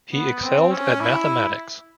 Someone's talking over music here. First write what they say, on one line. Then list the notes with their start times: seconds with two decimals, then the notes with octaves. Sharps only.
He excelled at mathematics.
0.13 B3
0.42 C4
0.71 C#4
1.00 E4